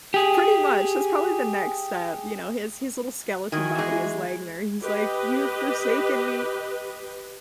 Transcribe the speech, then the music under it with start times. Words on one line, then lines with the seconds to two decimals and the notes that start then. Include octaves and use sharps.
Pretty much, that's probably the next step. You know, his his little skeleton body is laying there. He's like, "You've forsaken me."
0.14 G4 G#4
3.52 D#3 E4 F#4 G#5
3.75 E2 G#3
4.81 G4 B4 D#5